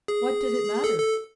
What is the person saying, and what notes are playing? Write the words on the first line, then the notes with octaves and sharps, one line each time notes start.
What did it matter?
G#4
A4
A4